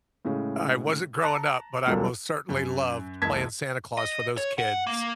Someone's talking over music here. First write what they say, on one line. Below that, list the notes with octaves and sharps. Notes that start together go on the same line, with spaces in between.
I wasn't growing up, but I most certainly loved playing Santa Claus for those kids,
A2 C#3 G#3 C#4
A5 A#5 F#6
E1 C#2 F#3 G3 A4 A#4
F#2
F#1 C#2 E3 A5 G#6 B6
D#5
C#5
F#5
A#3